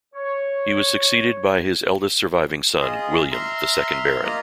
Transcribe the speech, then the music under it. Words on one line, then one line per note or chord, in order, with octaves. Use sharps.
He was succeeded by his eldest surviving son, William, the second Baron.
C#5
F4 G#4 D#5
E5 A#5 C6 F6
A#3 F4 D#5 A#5 F6